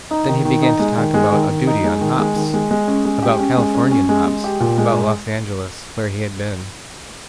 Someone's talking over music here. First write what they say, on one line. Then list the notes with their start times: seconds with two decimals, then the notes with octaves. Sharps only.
Then he began to talk about a duty on hops, about Californian hops, about Los Angeles, where he had been.
0.11 D#4
0.28 D#3
0.45 D#3
0.62 D#4
0.79 G#3
0.97 D#3
1.14 G#3
1.32 D#3
1.49 D#3
1.67 D#4
1.84 G#3
2.01 D#3
2.18 G#3
2.36 D#3
2.54 G#3
2.71 G#3
2.88 C#4
3.05 G#3
3.22 G4
3.39 C#4
3.57 G#3
3.74 C#4
3.91 C#4
4.09 G#3
4.26 G#3
4.44 G4
4.60 A#2
4.78 G#3